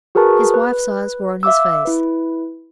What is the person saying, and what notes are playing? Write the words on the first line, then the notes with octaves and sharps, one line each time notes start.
His wife's eyes were on his face.
F#4 G#4 A#4 B4 A5 C#6
B4
E5 F5 D6 E6
E4 B4